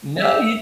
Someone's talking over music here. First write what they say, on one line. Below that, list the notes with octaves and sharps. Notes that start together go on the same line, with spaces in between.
No, you
C4 G4 E5